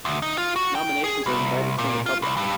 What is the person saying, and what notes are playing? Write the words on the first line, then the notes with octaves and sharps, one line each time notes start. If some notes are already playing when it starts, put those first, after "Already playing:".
Nominations are invited from the public.
D2
D#4
F4
F#4
G5
G#4
C2
A#2
F4
C2
G2